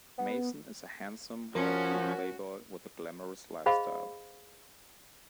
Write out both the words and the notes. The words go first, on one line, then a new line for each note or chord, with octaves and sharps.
Mason is a handsome, wealthy playboy with a glamorous life style.
B3
F3 C#4 F#4 A#4
G#4 C5 D#5 F5 B5